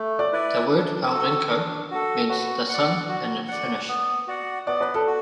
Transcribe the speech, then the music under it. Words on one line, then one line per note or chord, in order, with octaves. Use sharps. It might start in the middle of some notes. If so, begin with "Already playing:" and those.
The word "Aurinko" means "The Sun" in Finnish.
Already playing: A3
D5
E4 B4 D5
D4
F#4 A4
D4
F#4 A4
A4
F#4 B4
D5 F#5
F#4
D5 F#5
B3
F#4 D5 F#5
B3 D5
B4
A4
F#4